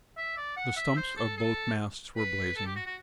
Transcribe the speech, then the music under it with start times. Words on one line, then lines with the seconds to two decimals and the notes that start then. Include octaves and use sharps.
The stumps of both masts were blazing.
0.17 E5
0.37 D5
0.56 F#5
0.77 E5
0.97 C5
1.17 A4
1.37 A4
2.16 B4
2.56 A4
2.66 G4
2.76 F#4
2.86 F#4